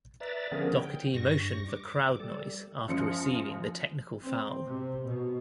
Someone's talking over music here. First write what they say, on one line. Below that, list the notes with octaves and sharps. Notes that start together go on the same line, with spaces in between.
Doherty motioned for crowd noise after receiving the technical foul.
B4 D5 E5 A#5 A6
D3 F3 B3 C#4 G#4 A#4
G5
G2 C#6 A#6
D6
G3 A4
F#2 F3 C#7
C4
C3
B2